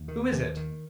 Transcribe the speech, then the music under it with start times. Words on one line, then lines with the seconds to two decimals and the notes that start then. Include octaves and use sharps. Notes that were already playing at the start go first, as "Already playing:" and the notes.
"Who is it?"
Already playing: D#2
0.08 D#3
0.32 D#2
0.57 D#3